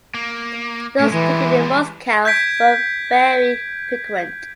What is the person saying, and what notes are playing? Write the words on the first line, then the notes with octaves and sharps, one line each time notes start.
Those taken in Moscow were very frequent.
A#3
A#2 F#3 A3
E3 G3 G#3
G6 G#6 B6 D7